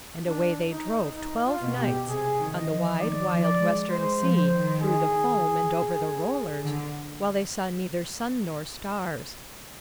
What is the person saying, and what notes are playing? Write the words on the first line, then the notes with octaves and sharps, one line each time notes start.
And away they drove twelve nights, on the wide wild western sea, through the foam, and over the rollers, while they saw neither sun nor stars.
D4
D#4
D#4
F4
B2
G4
C3 G#4
D#3
D#5
F3
D#3 D5
F3
D5
G#3
G#3 C5
F3
C5
D#3
G#4
D3